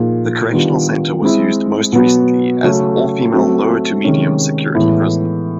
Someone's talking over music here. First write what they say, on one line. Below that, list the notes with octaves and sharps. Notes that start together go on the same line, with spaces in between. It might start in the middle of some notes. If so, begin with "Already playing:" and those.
The correctional centre was used most recently as an all-female low-to-medium security prison.
Already playing: A#2 F3 A#3 D#4 G#4
D#3 G3 B3 D4 F4
G#3 C4 E4
B2 F#3 B3
C#3 F#3 A3 C#4
F#3 A3 C4
C3 D#3 G#3 C#4
A2 E3 G#3 B3